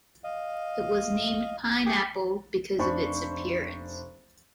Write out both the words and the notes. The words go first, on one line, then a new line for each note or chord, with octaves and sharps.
It was named "Pineapple" because of its appearance.
D#5 F5
G4 G#4 G5 D6 D#6
F1 D4 C5 B5 C#6